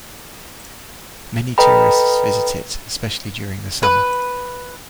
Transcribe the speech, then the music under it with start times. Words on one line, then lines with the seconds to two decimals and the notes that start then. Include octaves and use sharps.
Many tourists visit it, especially during the summer.
1.58 A4 B4 D#5 G5 A#5 B5
3.83 B4